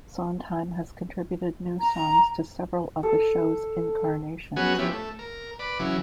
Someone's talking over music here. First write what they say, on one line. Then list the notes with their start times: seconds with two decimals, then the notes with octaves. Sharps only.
Sondheim has contributed new songs to several of the show's incarnations.
1.80 A#5
3.03 A4
4.56 F#3 B3 C#4 F#4 G#4
4.78 F3 B3 C#4 E4 G4
4.92 A3
5.19 A#4
5.59 B4 D5
5.79 C#3 E3 F#3